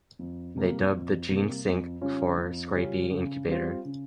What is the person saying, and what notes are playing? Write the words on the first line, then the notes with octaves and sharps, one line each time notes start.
They dubbed the gene sinc for scrapie incubator.
F2
C3 G3 A#3
F2
C3 G3 A#3
F2
C#3 G3 C#4 F4
F2
C#3 G3 C#4 F4
C#3
G3 C4 F4 C5
C#3